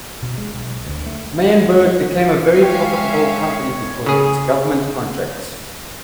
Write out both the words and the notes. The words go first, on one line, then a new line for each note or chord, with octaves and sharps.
Meyenberg became a very profitable company because of its government contracts.
B2
G#3
B1
D2
A3
G#3 C#5 E5 F5 G5
C#3 G#4